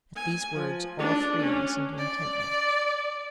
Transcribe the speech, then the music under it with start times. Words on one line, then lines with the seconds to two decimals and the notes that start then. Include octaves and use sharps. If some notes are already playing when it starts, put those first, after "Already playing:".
At these words all three listened intently.
0.17 G#5
0.57 F3
0.99 D4
1.43 C#4
1.98 D5
2.38 D5